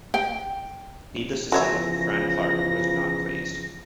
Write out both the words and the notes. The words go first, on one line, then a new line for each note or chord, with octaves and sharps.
Needless, to say, Fran Clark was not pleased.
G5
E2 C#3 F3 F#4 C#5 E5 A#6